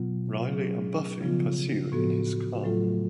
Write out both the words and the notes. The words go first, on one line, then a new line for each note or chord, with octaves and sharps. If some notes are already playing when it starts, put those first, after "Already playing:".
Riley and Buffy pursue in his car.
Already playing: B2 F#3 B3 F4
F#3 C#4 G#4
C#3 F3 B3 F4
A2 F3 B3 F#4 A4
A2 F#3 A3 F4 A4